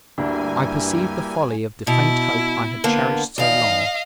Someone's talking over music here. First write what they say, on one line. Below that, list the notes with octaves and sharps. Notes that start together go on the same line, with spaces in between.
I perceived the folly of the faint hope I had cherished so long.
D2 G2 A#3 D4 E4 G4 G#5
B2 E4
D3 A#3 B3
E2 D#3 D#5 F5